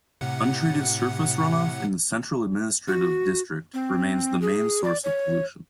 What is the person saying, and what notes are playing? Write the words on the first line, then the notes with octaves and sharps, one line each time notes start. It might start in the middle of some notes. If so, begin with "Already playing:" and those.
Untreated surface runoff in the Central Administrative District remains the main source of pollution.
A2 C3 F#5
F#4
C4
G#4
D5
C#5